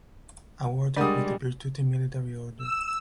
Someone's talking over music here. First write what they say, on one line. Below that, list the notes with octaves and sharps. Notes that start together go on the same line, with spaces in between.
Awarded with the Virtuti Militari Order.
G3 G#3 D4 A#4 D5 F#5 D#6
E6